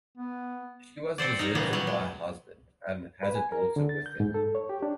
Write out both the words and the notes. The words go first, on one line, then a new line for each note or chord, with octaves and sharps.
She was deserted by her husband, and has a daughter with him.
B3
C4 A4 C5 D5
D#4 A#4
A#2 C#3 E3 G3 B3
F#3 G3
G#3
B4
G#5
A#4
D3
A6
G6
G#2
A4
C#5
G4
D4